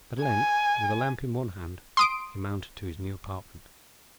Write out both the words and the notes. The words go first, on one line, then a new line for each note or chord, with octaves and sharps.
At length, with a lamp in one hand, he mounted to his new apartment.
G#5
C6 D#6 D7